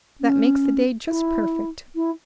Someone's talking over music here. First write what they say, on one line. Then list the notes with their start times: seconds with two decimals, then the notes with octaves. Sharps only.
"That makes the day just perfect."
0.20 C#4
1.08 E4
1.95 E4